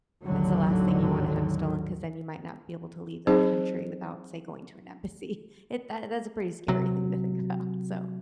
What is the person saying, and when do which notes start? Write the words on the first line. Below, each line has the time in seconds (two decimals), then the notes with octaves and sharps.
it's the last thing you wanna have stolen, 'cause then you might not be able to leave that country without, say, going to an embassy, it that that's a pretty scary thing to think about, so,
0.25 G#1 D#2 A2 D3 F#3
3.27 F#3 C4 D#4 G#4 C5
6.68 C3 F#3